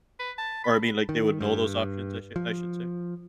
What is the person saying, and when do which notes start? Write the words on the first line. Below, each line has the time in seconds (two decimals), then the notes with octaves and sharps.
or I mean, like, they would know those options I should I should say.
0.19 B4
0.38 A5
0.64 B5
1.09 D#3
1.41 G2
2.36 F3